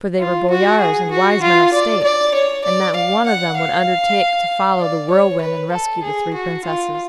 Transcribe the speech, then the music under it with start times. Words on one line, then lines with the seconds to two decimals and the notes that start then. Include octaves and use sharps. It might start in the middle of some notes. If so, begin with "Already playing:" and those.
For they were boyars and wise men of state, and not one of them would undertake to follow the whirlwind and rescue the three princesses.
0.19 F4
0.50 F#4
0.81 G#4
1.11 F#4
1.42 F4
1.73 D5
2.04 D5
2.34 C#5
2.65 D5
2.96 F5
3.26 F#5
3.57 F5
4.80 D5
5.10 C#5
5.41 B4
5.72 A4
6.03 G#4
6.34 F#4
6.64 F4